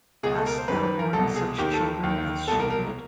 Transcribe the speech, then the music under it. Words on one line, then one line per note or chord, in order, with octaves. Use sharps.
Hast thou borne such children as she did?
C#2 B2 G#4
A4
A#4
C5
F#2 D#3 B4
B4
A#4
C2 B2 A4
G#4
D#2 D#3 G4
A4
D#2 D#3
C2 B2 A4
A#4
A#4